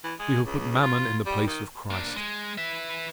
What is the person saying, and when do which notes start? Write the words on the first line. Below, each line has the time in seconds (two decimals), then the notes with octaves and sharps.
We have put mammon in the place of Christ.
0.04 E3
0.19 G#3
0.45 C#2
0.82 F4
1.26 G3
1.47 D#3
1.91 A#3 D4
2.16 G#3
2.58 B4 E5